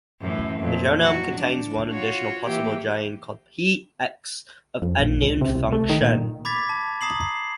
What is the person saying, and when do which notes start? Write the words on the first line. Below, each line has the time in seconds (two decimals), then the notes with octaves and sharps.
The genome contains one additional possible gene, called pX, of unknown function.
0.21 F#2 A2 E3
0.60 F2 A#2
1.02 F#3 F#4
1.34 D4
1.91 F4 F#4 C#5
2.45 E3 A#3 G4
4.82 F2
4.99 A#1
5.22 C#2
5.41 C3
5.55 C2
5.72 A3
5.90 D#3
6.01 A#2
6.45 B5 D6 G#6 A6 B6
6.69 A5
7.01 A#5 D#6 C7 F#7
7.21 C7